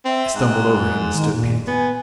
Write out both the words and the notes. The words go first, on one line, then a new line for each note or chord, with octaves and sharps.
I stumbled over him and stood panting.
C4 E5
G#2 F#6
D#3
A#2
B3 G#5